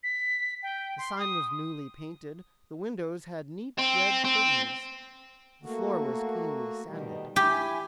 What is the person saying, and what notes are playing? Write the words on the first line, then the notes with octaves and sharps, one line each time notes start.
The sign was newly painted; the windows had neat red curtains; the floor was cleanly sanded.
B6
G5
C6
D#6
C4
C4
A3 A#3 F#4
B2 D#3 G3
E4 G4 G#5